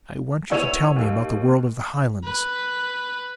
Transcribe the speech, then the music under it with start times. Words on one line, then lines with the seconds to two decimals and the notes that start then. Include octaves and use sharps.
I want you to tell me about the world of the Highlands.
0.50 B3 E4 C#5 E6 D#7 F7
0.96 D#2
2.24 B4